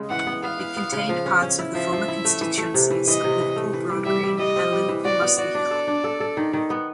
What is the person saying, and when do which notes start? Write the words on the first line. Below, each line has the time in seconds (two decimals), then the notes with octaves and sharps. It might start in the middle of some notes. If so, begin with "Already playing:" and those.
It contained parts of the former constituencies of Liverpool Broadgreen and Liverpool Mossley Hill.
Already playing: C#3 G#3
0.10 E3 F#5
0.27 B3
0.43 B3 F5
0.59 E3
0.76 B3
0.92 C#3
1.09 F3
1.26 C#4
1.42 C#4
1.59 E4
1.75 F3 E5
1.92 F3
2.08 E4
2.25 A3
2.41 E3
2.58 A3
2.74 C3
2.91 E3
3.07 E3 D#5
3.24 C3
3.40 E3
3.56 A3
3.73 E3
3.90 G3
4.05 G3 E5
4.23 G3
4.39 G3 D#5
4.56 C4
4.72 G3
4.89 E3
5.05 F#4 D5
5.22 B3
5.38 F#4 D5
5.55 D4
5.71 A4
5.87 D4
6.04 A4
6.20 A4
6.37 D#3
6.53 D#3
6.70 B3